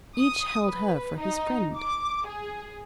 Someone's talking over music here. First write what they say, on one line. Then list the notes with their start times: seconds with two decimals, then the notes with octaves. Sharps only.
Each held her for his friend.
0.18 D#6
0.66 B4
1.18 D#4
1.75 D6
2.26 G#4